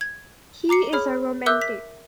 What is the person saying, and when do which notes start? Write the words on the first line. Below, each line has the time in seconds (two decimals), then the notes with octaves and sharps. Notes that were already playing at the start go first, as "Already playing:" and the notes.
He is a romantic.
0.01 G#6
0.69 A#5 D6 C7 C#7
0.92 G#4 C#5 B5 F6
1.46 A#4 E5 D6 E6 F#6 G6
1.61 B6